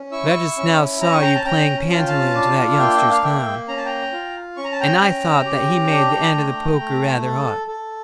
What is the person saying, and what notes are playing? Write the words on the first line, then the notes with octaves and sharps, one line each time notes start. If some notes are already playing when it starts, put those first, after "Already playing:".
But I just now saw you playing pantaloon to that youngster's clown, and I thought that he made the end of the poker rather hot.
Already playing: C#4
E4 C#6 E6
C#4
C#4 A#5
C#6
G5 A#5
A5
C#4 G5 A#5
F4 A5
G5
F5 A5
D4
F5
A#3 E5 G5
E5
F5
A#3 E5 G5
C#4 A#5
A5
G5 A#5
F4
C#4 C#6
A#5
A5
G5 A#5
C#4
G4
D4
A3
A3
A4
A4